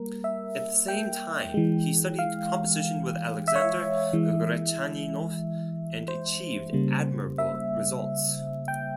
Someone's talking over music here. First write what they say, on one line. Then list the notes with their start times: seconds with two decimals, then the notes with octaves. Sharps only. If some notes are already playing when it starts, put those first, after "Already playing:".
At the same time, he studied composition with Alexander Gretchaninov and achieved admirable results.
Already playing: G3 A#3 A#4
0.24 E5
0.88 G5
1.54 E3 G#3
2.19 F5
3.48 E5
3.56 C#5
3.62 E5
4.13 E3 G#3
6.08 C5
6.73 C#3 G3 A#3
7.38 E5
8.68 G5